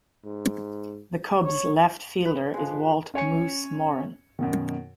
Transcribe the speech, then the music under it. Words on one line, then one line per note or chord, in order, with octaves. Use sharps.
The Cubs left fielder is Walt "Moose" Moryn.
G#2
C#5
B4
F3 G#3
C#4 C#5 G#5 C#7
F#2 B2 D#3